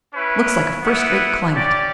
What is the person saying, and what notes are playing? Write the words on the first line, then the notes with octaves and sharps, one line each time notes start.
Looks like a first-rate climate.
C#4 E4 B4
B3 E4 B4 F#5
C#4 G4 D5